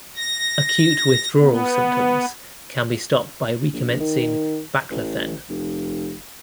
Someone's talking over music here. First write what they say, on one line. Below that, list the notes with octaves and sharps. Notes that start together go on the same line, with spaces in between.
Acute withdrawal symptoms can be stopped by recommencing baclofen.
A#6
B3
A#1
D#3
A1
F1